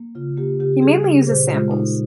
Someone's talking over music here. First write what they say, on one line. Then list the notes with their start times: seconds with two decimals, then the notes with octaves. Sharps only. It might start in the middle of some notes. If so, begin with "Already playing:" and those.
He mainly uses samples.
Already playing: A#3
0.15 C#3 F4
0.37 A#3 G4
0.59 C#3 G4
0.82 G3 G#4
1.04 C#3
1.27 A#2 C5
1.49 G#3 F4
1.71 A#2 D#4